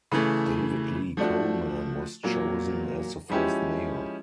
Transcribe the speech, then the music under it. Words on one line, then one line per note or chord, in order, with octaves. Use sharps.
David Lee Coleman was chosen as the first mayor.
C#3 E3 A3
F3 A3 D4 F#4
A#2 F#3 A#3
F3 G#3 C#4 E4 G4